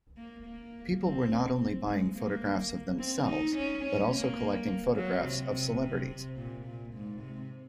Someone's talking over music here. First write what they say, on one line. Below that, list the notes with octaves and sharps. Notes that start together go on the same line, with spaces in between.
People were not only buying photographs of themselves, but also collecting photographs of celebrities.
A#3
A#3
C4
G#3
A#3
C4
D#4
C#4
C#4
A#3
F#3
C3
C3
C3
C3
A#2
A#2
G#2
C3